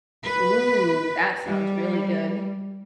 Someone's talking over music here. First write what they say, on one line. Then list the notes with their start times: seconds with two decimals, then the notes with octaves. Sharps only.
Ooh. That sounds really good.
0.24 B4
1.45 G3